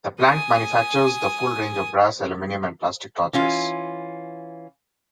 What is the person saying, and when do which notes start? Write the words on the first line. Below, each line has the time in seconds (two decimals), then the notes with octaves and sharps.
The plant manufactures the full range of brass, aluminium and plastic torches.
0.22 G#5 D#6
3.33 E3 C#4 F4